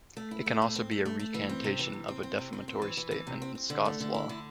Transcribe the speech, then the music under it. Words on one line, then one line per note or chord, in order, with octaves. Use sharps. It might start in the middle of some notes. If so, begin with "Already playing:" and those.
It can also be a recantation of a defamatory statement in Scots Law.
A3
E4
A3
A2
C4
A3
A3
A3
E3
C4
C3
E3
C3
C4
C4
C3
C4
C4
E3
E3
E3
C3
C4
C4
D3
A3
D3
E4
D3